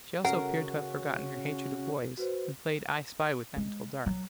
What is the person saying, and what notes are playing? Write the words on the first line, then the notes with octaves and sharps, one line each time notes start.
She also appeared to have forgotten her hatred of boys, and played "I spy" with them till dark.
C#3 C#4 F#4 A#4 F#5
F#4 B4 C5
G#3
F#3